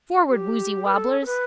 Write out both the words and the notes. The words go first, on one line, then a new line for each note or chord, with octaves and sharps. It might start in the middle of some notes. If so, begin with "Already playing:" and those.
Forward, woozy wobblers!
G4
B4
A4
A4
B4